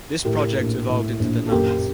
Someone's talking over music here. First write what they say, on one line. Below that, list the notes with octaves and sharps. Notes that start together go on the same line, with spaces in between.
This project evolved into The Nuns.
A2 G4 A#4
A#1
A2
A#1
A4
F#1 G4 A#4